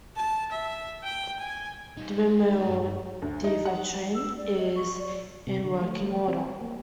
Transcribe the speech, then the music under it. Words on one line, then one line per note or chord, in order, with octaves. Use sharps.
The windmill "De Verwachting" is in working order.
A5
E5
G5
G#5
G3 D#4
G2 A3
D2
D#4
F#5
E6
D5
D#5
C#6
D5
C3
D3
A3
C4
A#3